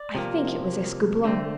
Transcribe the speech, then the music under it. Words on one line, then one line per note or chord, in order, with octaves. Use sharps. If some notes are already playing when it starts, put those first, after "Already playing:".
I think it was Escoublon.
Already playing: D5
C3 F3 A#3
D3 A3 C4